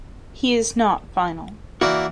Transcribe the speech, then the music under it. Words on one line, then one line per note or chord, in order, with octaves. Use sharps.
He is not final.
E3 A#3 F#4 D5